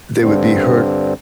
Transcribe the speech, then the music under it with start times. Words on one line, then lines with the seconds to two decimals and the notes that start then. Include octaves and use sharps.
they would be hurt
0.21 G2 D3 C4